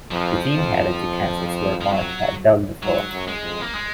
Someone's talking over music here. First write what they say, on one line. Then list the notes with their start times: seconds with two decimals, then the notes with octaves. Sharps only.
The team headed to Kansas where Marsh had dug before.
0.11 F2 F3
0.56 F2
1.81 F3
1.92 F#3
2.83 G#2 F#3
3.13 F#2
3.28 G#3
3.43 F2
3.61 A#3
3.74 G#3